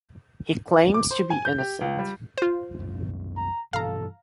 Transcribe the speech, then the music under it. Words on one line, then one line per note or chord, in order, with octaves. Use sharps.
He claims to be innocent.
D6
C5
G#5
G6
G4
C#2
G3
F4 C5
F#1 C2 F#2
A#5
G2 B2 E3 A4 F5 A#5